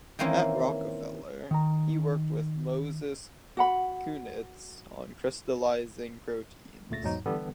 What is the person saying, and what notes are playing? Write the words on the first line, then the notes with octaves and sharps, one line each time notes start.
At Rockefeller, he worked with Moses Kunitz on crystallising proteins.
D#3 E3 A#3 C4 C#4 E4
D#3 A#5
F#4 F#5 B5
D2 A#2 A3 A6 A#6
E2 G#2 F#3 D#4
D3 E3 G3 B3 G4 A4